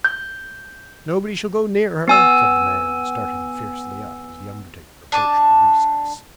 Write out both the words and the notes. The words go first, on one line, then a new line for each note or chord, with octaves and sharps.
'Nobody shall go near her,' said the man, starting fiercely up, as the undertaker approached the recess.
G6
B3 G#5 E6
D4 G#5 A5 D6